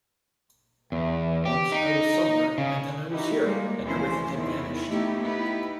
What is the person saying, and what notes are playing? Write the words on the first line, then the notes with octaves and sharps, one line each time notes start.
Once I was somewhere and then I was here, and everything had vanished.
E2
G4
D#4
C#3
D#4 E4 F#4 G4
G3 G#3 A#3
D2 E3 F3 C#4 C5
E2 D#3 B3 E4
A3 B3 D#4 E4 G4
B3 D#4 E4 G4 B4